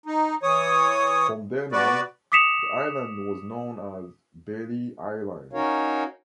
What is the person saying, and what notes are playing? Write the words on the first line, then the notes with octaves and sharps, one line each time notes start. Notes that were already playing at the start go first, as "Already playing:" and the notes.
From then on, the island was known as Bailey Island.
D#4
E3 C#5 D#6
B3 F#4 B4 D5
D6 D#6 B6 C#7 E7 F7
C#4 D#4 F#4 A#4 C#5 F5